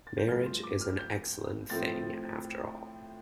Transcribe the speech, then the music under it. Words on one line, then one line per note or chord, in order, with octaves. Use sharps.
Marriage is an excellent thing, after all.
A6
G6
G2 F3 A3 F6
C6
D6
F6
G6
A2 F3 A3 C4 A6